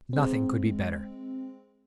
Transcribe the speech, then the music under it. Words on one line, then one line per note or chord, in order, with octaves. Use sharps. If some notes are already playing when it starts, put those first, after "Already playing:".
Nothing could be better.
G#3 C4